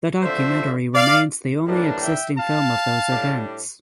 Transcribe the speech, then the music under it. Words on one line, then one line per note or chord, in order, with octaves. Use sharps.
The documentary remains the only existing film of those events.
D3 F3 A3 C4 F4 C5 E5
D5 F5
A2 E3 G3 A#3 D4
E5 G5
F5 A5
A2 G3 D4